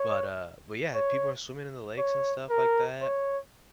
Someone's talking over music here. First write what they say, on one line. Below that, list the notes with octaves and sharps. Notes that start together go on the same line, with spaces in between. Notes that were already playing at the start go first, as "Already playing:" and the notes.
but, uh but yeah, people are swimming in the lakes and stuff like that.
Already playing: C#5
C#5
C#5
A#4
C#5